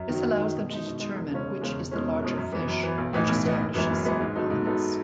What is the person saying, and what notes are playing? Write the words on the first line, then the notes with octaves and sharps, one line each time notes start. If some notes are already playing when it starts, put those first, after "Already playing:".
This allows them to determine which is the larger fish, which establishes dominance.
Already playing: F#2
D#3 F#3
F#2
D#3 F#3
B2
G#3 D#4
B2
G#3 D#4
E1
E2 C#3 G#3 C#4
E1
E2 C#3 G#3 C#4
E1
E2 B2 G#3 C#4
E1
E2 B2 G#3 C#4
F#2
E3 B3
F#2
E3 B3
B1
A2 E3 B3 D#4
B1
A2 E3 B3 D#4
F#1
F#2 E3 G#3 B3
F#1
F#2 E3 G#3 B3
G#2
F#3 B3 D#4 A4
G#2
F#3 B3 D#4 A4